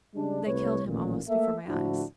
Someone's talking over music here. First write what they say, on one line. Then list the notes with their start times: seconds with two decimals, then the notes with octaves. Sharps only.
"They killed him almost before my eyes."
0.15 C#3 G3 G#3 D4
0.46 C2 A3 B4 C#5
0.86 A1 A#2 D#3
1.29 A3 A#3 A4 E5
1.68 A2 D3 F3 D4 E4 F#4